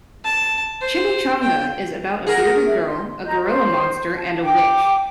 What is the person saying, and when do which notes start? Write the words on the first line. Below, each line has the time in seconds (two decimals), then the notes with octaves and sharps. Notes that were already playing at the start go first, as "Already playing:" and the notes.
"Chimichanga" is about a bearded girl, a gorilla monster and a witch.
0.25 A5
0.81 C5
1.43 G5
2.27 G#4 A#4 F#5
2.67 E5
2.88 C6
3.26 D#5 A#5 G6
3.43 C5
4.16 A5
4.43 G5 D6